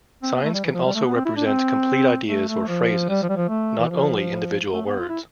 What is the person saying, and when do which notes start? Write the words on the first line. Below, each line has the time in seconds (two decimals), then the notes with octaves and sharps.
Signs can also represent complete ideas or phrases, not only individual words.
0.23 C4
0.34 B3
0.44 A3
0.54 G3
0.64 E3
0.74 F3
0.85 G3
0.95 A3
1.05 B3
1.15 C4
1.26 E4
1.36 D4
1.46 C4
2.27 A3
2.48 A3
2.68 F3
3.09 G3
3.23 F3
3.29 G3
3.36 F3
3.49 A3
3.79 E3
3.90 F3
4.73 A3
4.86 B3
4.99 F4
5.09 E4